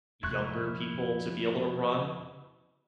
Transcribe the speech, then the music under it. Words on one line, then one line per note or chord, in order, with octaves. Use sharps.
Younger people to be able to run,
F2 C3 E4 C#6 F#6